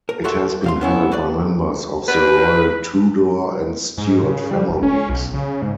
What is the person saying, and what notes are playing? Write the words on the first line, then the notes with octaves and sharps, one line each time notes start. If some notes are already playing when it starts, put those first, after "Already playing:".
It has been held by members of the royal Tudor and Stuart families.
A#4
F4 F#4 A4 E5
C2 F5 C6
B3 C#4 E4
A3 B4 D5
B4
G#2
C#3
G3
F1
C#4
B1
C#3
G#2